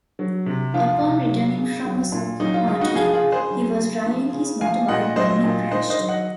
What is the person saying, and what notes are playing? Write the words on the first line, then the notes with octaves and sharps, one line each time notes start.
Upon returning from a soca party he was riding his motorbike when he crashed.
F#3
C3
F3 F4
C3
F#3
C#3
F#3
A#2
F#3 D#4
F4
C#3 F4
D#4 F#4
F3 F4 G#4
F4 G#4
C#3
G#4 C5
F#3
C#3
F3
C#3
F3 F5 G#5
A#2 D#5 F#5
F#3 C5 D#5
A#2
D#3 C5 D#5
C5 D#5
F#3
D#5 F#5